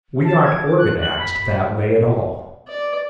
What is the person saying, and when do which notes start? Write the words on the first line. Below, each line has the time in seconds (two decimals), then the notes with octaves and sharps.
We aren't organized that way at all.
0.24 A5
0.43 G#6
0.65 D6
0.77 F#6
1.01 F#7
1.19 B5
2.68 D5